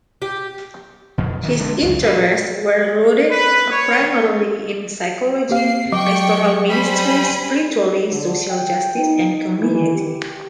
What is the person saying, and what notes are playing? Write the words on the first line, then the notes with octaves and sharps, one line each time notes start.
His interests were rooted primarily in psychology, pastoral ministry, spirituality, social justice and community.
G4
F2 B2
D#3 E3
D3 G#3 D4
C#2 F#2
A#2 E3
B4
C#5
A#3 G4 F5 C7
F#3 D#5 G5 C#6 D6
G3 C5 G#5 B5
D3
G5
D#4
E3
G4